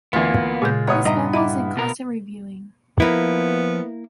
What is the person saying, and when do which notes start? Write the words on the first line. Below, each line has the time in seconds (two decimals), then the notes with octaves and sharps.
This family is in constant reviewing.
0.13 D2 E3 A#3 B3 F4
0.62 A#2 C#3 G#3 G6
0.87 A1 B3 C#5 D#6
1.05 G2 D#4 D#5 E5 A#5
1.33 E4 D#5 A#5 D6
1.77 B2 A#4
3.00 F3 A#3 B3 E4